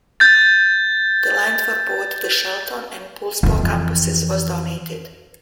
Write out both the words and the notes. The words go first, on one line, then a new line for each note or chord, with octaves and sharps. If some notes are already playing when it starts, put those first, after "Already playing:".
The land for both the Shelton and Poulsbo campuses was donated.
G6 A6
F2 E3